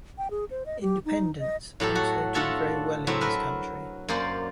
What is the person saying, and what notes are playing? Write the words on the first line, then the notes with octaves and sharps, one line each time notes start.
Independents also do very well in this county.
G5
G#4
C5
D#5
G4
D#4
D#5
A2 F#3 G4 A4
F#4
D4 F4 F#4 A4 C#5 E5
A2 F#3 C4 E5
A#4 B4 E5
F#2 A#3 C5 D5